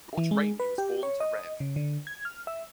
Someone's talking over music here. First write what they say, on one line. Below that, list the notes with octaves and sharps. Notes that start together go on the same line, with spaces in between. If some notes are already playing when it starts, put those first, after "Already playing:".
George Rainy was born to Rev.
E3
G#3
B4
G4
C#5
D#5
C#3
D3
G#6
F6
E5